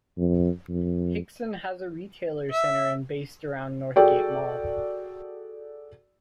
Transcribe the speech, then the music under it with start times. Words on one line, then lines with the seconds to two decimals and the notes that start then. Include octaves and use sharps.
Hixson has a retail center based around Northgate Mall.
0.18 F2
0.69 F2
2.51 E5
3.96 F#4 G#4 A4 D5 G5